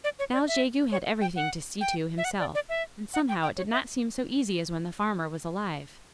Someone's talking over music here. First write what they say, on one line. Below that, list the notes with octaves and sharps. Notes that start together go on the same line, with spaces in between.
Now Jegu had everything to see to himself, and somehow it did not seem so easy as when the farmer was alive.
D5
C#5
D5
E5
C#5
G5
F#5
G5
E5
F#5
D5
D5
E5
F#5
G5
G5
C#5
E5